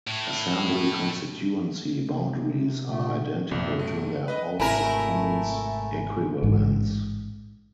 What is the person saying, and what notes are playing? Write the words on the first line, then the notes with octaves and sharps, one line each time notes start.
Assembly Constituency boundaries are identical to their House of Commons equivalents.
A2
C3
A#2 A3
A#1 F#2 C3
A3
B4 D#5
G#1 C3 A3 E4 A#4 G#5
A1 G#2